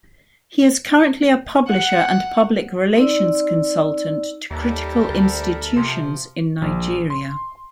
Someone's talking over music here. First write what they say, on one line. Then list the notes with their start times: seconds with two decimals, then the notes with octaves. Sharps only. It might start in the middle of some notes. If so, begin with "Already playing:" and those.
He is currently a Publisher and Public Relations consultant to critical institutions in Nigeria.
1.67 F#5
2.95 C4 D#4 D5 E6
4.51 D#2 G3 A4 A#4 E5
5.09 D2
5.76 C3 F3
6.62 A#1
7.10 C6